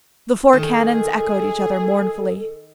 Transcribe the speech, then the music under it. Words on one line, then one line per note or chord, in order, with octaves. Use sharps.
The four cannons echoed each other mournfully.
D#3 G#4 A4